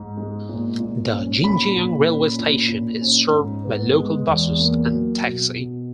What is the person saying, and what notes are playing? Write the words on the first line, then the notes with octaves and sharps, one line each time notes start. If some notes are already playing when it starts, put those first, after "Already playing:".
The Jinjiang Railway Station is served by local buses and taxi.
Already playing: G#2
G#3
A#2
A#2
C#4
A#2 B5
A#2
C#4
A#2
A#2
C#4
G#2
B3
G#3
E2
A#3
F#3
B2
B2